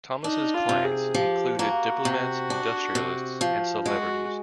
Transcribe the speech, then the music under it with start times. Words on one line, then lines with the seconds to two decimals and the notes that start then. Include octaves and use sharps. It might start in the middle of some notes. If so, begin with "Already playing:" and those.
Thomas' clients included diplomats, industrialists, and celebrities.
0.24 D4 D#4
0.54 F4
0.69 C3
0.84 G#4
1.14 F3 G4
1.59 A#3 F#4
2.05 C3
2.50 D4
2.95 C3
3.41 F3
3.86 G#3 F#4